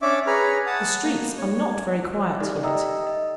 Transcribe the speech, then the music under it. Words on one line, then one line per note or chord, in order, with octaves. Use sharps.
The streets are not very quiet yet.'
C#4 D4 C#5 D5 E5 D6
G#4 B4 C#5 A#5 B5 F6
F#5 A5 D#6
A#3
C#5
D#4 G4 A4 D5
D#5 E5 G5 A#5 D#6 E6
D#5